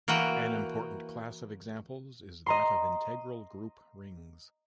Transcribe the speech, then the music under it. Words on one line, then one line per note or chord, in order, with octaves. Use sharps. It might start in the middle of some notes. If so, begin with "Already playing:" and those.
An important class of examples is that of integral group rings.
E3 A#3 F#4 F#5 G5
D#5 A#5 C6